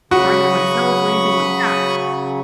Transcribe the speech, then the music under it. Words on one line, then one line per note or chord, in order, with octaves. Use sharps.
bragging on myself or anything like that,
C#3 F#3 F#4 B5 C#6 D#6